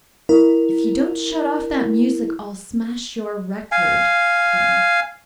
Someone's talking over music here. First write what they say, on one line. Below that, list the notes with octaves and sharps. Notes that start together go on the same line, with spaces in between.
"If you don't shut off that music I'll smash your record," threatened Ojo.
E4 A#4
F5 G#5